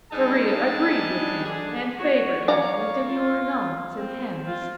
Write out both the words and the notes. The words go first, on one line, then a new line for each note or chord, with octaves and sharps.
Maria agreed with him and favoured him with demure nods and hems.
G#2 G3 D4 D#4 G#4 A5
D3 G#3 D4 G#4
F#4 C#5
C#5 D5 F5 A#5
F4
C4
C4 F4